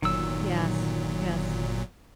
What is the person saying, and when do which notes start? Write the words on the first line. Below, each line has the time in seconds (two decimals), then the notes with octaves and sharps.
Yes, yes.
0.02 G1 A#2 D#3 F#3 E6